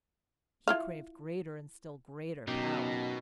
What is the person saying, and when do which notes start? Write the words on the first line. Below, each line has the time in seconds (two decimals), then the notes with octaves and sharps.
He craved greater and still greater power.
0.68 E4 F4 F5
2.48 F#2 B2 D#4 G4